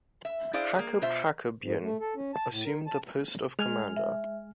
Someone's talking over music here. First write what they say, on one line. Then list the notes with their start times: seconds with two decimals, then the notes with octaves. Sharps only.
Hakob Hakobyan assumed the post of commander.
0.25 E5
0.53 E4 G#4 C5 D5 F5
0.75 A#3 G#4
1.02 B2 F4 C5 E5
1.62 G#2
1.82 A3
2.01 A4
2.16 C#4
2.34 A5
2.51 A2
2.65 A#4
2.87 A5
3.59 G#3 G#5 F6 F7
3.97 E5